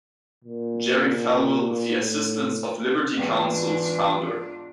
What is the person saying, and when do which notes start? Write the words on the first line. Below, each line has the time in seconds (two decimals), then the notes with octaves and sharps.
Jerry Falwell with the assistance of Liberty Counsel's Founder.
0.44 A#2
1.98 A2
3.17 E2 G#2 E3 D4 F4 G5